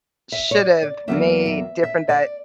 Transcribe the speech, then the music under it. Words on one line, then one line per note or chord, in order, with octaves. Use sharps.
should've made different that
E5
C#5
D5
D5
E2 C#3 F#3 A#3 E5
E5
E5
D5